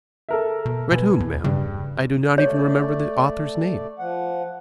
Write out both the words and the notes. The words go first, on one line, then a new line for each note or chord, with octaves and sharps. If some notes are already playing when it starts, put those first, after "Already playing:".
"Read whom, ma'am?--I do not even remember the author's name."
A4 A#4 E5
B2
B2 B4 G#5
E2
G2 C#3
A3 C#5 D5
F3 F#5